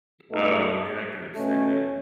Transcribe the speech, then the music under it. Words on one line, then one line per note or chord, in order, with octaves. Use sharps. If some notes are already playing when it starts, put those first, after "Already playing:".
Oh, yeah, I can understand that.
C#2 B2 A3 D#4 A4
B2 A3 C#4